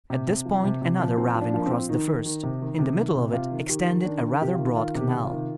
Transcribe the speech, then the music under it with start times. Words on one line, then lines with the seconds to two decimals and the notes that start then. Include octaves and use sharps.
At this point another ravine crossed the first; in the middle of it extended a rather broad canal.
0.10 C3
0.27 C3
0.45 F3
0.64 C3
0.82 C3
0.99 F3
1.17 F3 C4
1.35 F3
1.41 D4
1.54 F3 A#3
1.66 C4
1.71 F3
1.89 D#3 D#4
2.07 D#3
2.25 D#3
2.43 C3
2.62 D#3
2.79 C3
2.97 D#3
3.15 C3
3.33 C3 F4
3.51 D#3
3.69 D#3 G4
3.87 D#3
4.05 D#3 D4
4.23 D#3
4.29 D#4
4.42 C3 G4
4.53 F4
4.59 D#3
4.76 D#3 F4
4.95 C3
5.01 G4
5.13 C3
5.25 F4
5.31 D#3